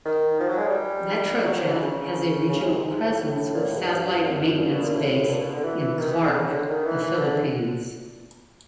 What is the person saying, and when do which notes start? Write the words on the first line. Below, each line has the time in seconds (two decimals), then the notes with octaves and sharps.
Metrojet has a regional presence with satellite maintenance base in Clark, The Philippines.
0.05 D#3
0.40 F3
0.48 F#3
0.58 G#3
0.66 G3
1.45 F#3
1.56 F3
1.68 E3
1.80 C#3
2.49 C#3
2.61 C3
2.72 G#2
2.84 G#2
3.02 A2
3.19 A2
3.54 A#2
3.65 A2
3.77 G2
4.23 F#2
4.41 F#2
4.58 G2
4.71 B2
4.82 A#2
4.94 A2
5.29 A#2
5.40 B2
5.52 D3
5.63 E3
5.81 E3
5.98 D#3
6.10 E3
6.22 D3
6.33 C#3
6.51 D3
6.68 D#3
6.86 E3
7.02 E3
7.20 D3